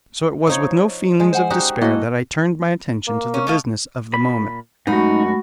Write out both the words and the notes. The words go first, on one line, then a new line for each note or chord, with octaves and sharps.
So it was with no feelings of despair that I turned my attention to the business of the moment.
F3 D#4 C#5
G#3
C5 F#5 G#5
D#4 F#4 G4
A#3 E4 F#4 A4 D#5
A#3
C#4
D#3 A3 F5
A#2 B5
F#2 G#3 A3 D#4 F#4 B5